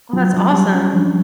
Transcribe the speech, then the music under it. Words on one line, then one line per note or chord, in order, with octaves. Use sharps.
Well, that's awesome.
F3 F#3
F3
G3 C#4
C#4
F3 D4